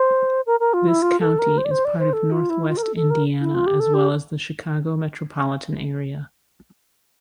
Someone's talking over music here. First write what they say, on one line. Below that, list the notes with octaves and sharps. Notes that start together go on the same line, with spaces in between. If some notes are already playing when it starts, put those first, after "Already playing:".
This county is part of Northwest Indiana as well as the Chicago metropolitan area.
Already playing: C5
A#4
A#4
F4
E4
F4
A4
A#4
C5
D5
C5
D5
C5
A4
F4
E4
F4
A#4
A4
A4
A#4
E4
F4
G4
A4
G4